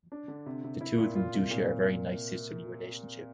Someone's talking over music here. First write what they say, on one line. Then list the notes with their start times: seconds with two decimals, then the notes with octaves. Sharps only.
The two of them do share a very nice sisterly relationship.
0.12 D4
0.28 D3
0.46 C3
0.64 C3
0.81 E4
0.98 A#2
1.15 F4
1.33 C3
1.51 A#2